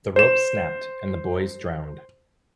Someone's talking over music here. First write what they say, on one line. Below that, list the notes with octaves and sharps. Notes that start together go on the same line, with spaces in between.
The rope snapped, and the boys drowned.
C5 E7